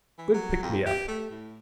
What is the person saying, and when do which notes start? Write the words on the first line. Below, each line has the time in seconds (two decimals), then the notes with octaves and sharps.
Good pick me up.
0.18 E3
0.34 F#3
0.63 F2
0.86 G4
1.08 A3
1.31 A2